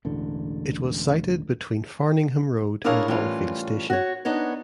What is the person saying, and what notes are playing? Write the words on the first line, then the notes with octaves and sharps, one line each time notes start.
It was sited between Farningham Road and Longfield station.
E1 A1 D3
D4 E4 G#4 A#4 C#5 F5
A2 E3 G3 C#4 F4
F#4 C#5
B3 D4 D#4 C#5